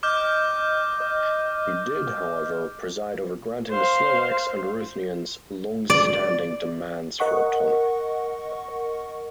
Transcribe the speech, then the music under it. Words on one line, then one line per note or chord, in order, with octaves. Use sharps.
He did, however, preside over granting the Slovaks and Ruthenians' longstanding demands for autonomy.
D#5 D6 F6 G6
C5 F5
D5
A#4 D#5 F#5 C#6